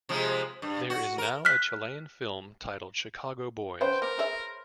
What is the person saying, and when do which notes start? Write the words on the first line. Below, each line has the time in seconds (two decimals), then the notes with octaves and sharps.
There is now a Chilean film titled Chicago Boys.
0.09 C3 F3 G#3
0.62 G2
0.90 F#4
1.18 A#4
1.45 F6 F#6 B6
3.81 C#4 B4 C5 F#5 G5
4.02 A#3 A#4
4.19 G#4 C#5 E5